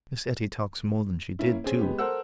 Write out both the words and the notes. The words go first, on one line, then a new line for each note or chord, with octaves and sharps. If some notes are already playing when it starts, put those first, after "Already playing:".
Miss Etty talks more than she did, too.
A#3 C#4 E4
C4 C#4 G#4
G#3 B3 G4
A4 A#4 C5 F#5 E6